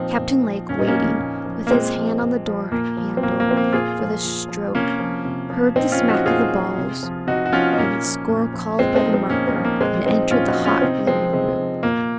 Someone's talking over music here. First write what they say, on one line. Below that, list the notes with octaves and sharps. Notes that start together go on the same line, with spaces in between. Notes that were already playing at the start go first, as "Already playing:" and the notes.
Captain Lake, waiting, with his hand on the door-handle, for the stroke, heard the smack of the balls, and the score called by the marker, and entered the hot, glaring room.
Already playing: A#2 F3 C4 D#4
A#2
F3
A#2 C#4
D#4
A#3 C#4
F3
A#2
F3
A#3
A#2 G#3 C4
F3
A#2
F3
A#2 A#3
F3
C4
A#2 A#3
A#3
F3 C4
A#3
A#2 F4 G#4
F3
A#2
F3
C3 A#3 C#4
F3
C3
F3
A#2 C4 D#4
C#4 F4
F3
D#4 F#4
A#2 F4 G#4
F3
C3
F3
C3 D#4 F#4
F#4
F3 C#4 F4
D#4
A#2 A#3 C#4
F3
A#2
F3
A#2 G#3 C4
C4 D#4
F3
C4 D#4
A#2 A#3 C#4
C4 D#4
F3
A#3
A#2 G#3 C4
F3 C4 D#4
A#2 C#4 F4
D#4 F#4
F3
C#4 F4
C3 C4 D#4
F3 G#3 C4
C3 G#3
F3
A#2 A#3